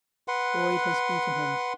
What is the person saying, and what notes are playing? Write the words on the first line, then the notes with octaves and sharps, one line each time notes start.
Boyd has beaten him.
B4 F#5 C6